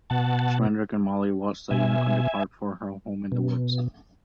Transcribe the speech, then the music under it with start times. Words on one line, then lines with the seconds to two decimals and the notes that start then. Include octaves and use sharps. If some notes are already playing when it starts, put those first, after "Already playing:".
Schmendrick and Molly watch the Unicorn depart for her home in the woods.
0.10 B2 F#5 A5
1.71 B2 E5 G#5
3.32 B2